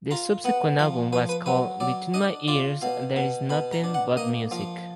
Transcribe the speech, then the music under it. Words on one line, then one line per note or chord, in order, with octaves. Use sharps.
The subsequent album was called "Between My Ears There Is Nothing But Music".
F4 A#5
B3 F#5
F3 F5
F3 B4
B4
F#3 B4
F#3 D5
D4 D#5
F4 D5
B2 F5
B2
B2 B5
A#5
D4
F#5
A#3 D#5
F3 F5